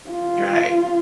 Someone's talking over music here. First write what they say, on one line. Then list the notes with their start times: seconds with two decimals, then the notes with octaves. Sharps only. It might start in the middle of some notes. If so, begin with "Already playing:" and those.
You're right.
0.10 F4